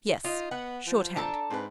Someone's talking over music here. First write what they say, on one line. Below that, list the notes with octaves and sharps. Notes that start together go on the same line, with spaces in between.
'Yes, shorthand.
D#4 F4 D#5
B3 F#5
F3
D4 A4 A5 A#5
G#2 C4 B4